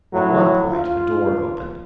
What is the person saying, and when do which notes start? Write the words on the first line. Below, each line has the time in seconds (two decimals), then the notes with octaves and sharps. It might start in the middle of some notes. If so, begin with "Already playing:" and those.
At one point a door opened.
0.13 A2 F#3
0.69 F4